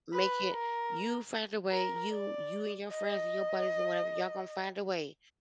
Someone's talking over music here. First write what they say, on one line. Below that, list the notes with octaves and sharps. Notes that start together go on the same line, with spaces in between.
make it you find a way. You you and your friends and your buddies and whatever, y'all gonna find a way
B4
A#4
A#4
D5
D#5